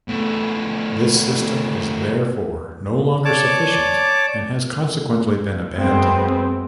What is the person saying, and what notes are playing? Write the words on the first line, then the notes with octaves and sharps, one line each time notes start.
This system is therefore no longer sufficient and has consequently been abandoned.
B2 A3
C#5 D5 A5 D6
F#2 G#3 B3 C4